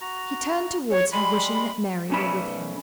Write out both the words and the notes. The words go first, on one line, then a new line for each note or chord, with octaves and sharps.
He turned towards her, wishing that Mary were with him.
F#4 A#5
C#5
G3 G#3 B5 C6
B1 C#4 B5